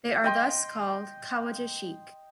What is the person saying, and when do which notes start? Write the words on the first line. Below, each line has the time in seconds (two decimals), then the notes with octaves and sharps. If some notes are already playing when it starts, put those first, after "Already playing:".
They are thus called "Khawaja Sheikh".
0.24 D#5 G5 C6